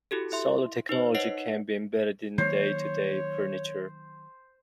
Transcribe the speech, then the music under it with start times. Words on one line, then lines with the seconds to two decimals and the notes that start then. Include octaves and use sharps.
Solar technology can be embedded in day to day furniture.
0.11 E4 F#4 G4 A4
0.32 E4 E5 C6
0.89 D#4 B4 C5
1.14 D#4 B4 C#5 D#5 F#5 C7
2.38 D#3 F#3 A#3 C5 C#5